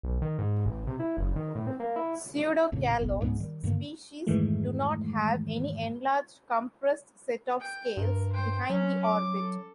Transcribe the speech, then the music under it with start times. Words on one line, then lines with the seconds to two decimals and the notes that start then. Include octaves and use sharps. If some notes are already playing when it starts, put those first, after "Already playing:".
"Pseudocalotes" species do not have any enlarged compressed set of scales behind the orbit.
0.03 B1
0.22 D#3
0.39 G#2
0.66 A1
0.87 C3
1.00 E4
1.17 F#1
1.36 D#3
1.55 A2
1.67 C4
1.80 A#3
1.96 E4
2.72 A#1 F2 A2 C#3
2.99 F#1 B1 B3
3.21 C#2 G#2 F#3 B3
3.40 D#3 G3
3.63 G2 D3 D#3 A#3
4.27 F2 G#2 D#3 E3 G#3 A3
7.60 G5
7.97 G2 A#4
8.32 C5 G5
8.70 F#3 C#4
9.03 D6
9.39 A4